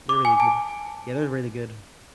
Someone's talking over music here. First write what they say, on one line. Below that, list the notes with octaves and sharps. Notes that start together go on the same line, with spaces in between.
they're really good. Yeah, they're really good.
D6
G#5
A5